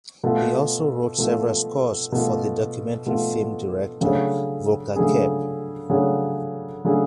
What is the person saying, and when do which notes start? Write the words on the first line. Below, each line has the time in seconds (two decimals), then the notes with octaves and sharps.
He also wrote several scores for the documentary film director Volker Koepp.
0.23 B2 A3 F4
1.18 B2 A3 F4
2.12 B2 A3 F4
3.06 B2 A3 F4
4.01 C#3 F#3 A3 D4 G#4
4.96 C#3 F#3 A3 D4 G#4
5.89 C#3 F#3 A3 D4 G#4
6.85 C#3 F#3 A3 D4 G#4